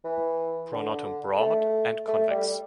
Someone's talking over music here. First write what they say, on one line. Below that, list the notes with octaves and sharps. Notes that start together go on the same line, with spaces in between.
Pronotum broad and convex.
E3
D3
A3
A3
G3